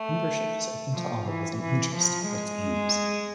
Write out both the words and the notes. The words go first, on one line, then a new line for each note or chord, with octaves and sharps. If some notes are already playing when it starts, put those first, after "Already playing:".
Membership is open to all with an interest in its aims.
Already playing: A3
F3
E3
E3
F3
G#3